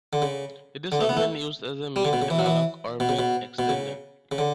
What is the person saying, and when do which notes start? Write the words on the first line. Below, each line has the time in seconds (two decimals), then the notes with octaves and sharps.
It is often used as a meat analogue or meat extender.
0.13 D3
0.22 C#3
0.92 D3
1.01 A3
1.09 B3
1.17 A3
1.96 G3
2.05 D3
2.13 B2
2.22 C#3
2.30 E3
2.39 F#3
2.46 E3
3.00 B2
3.09 C#3
3.19 B2
3.59 B2
3.69 C#3
4.31 C#3
4.38 D3